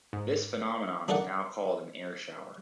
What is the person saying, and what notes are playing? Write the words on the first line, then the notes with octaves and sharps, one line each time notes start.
This phenomenon is now called an air shower.
G#2
D4 D#4 A4 A#4 D5 F#5